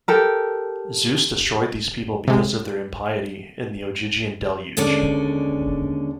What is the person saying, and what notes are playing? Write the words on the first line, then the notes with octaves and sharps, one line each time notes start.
Zeus destroyed these people because of their impiety, in the Ogygian Deluge.
G4 A4 A#4
C3 G#3
D#2 D3 G#3 C#4 D5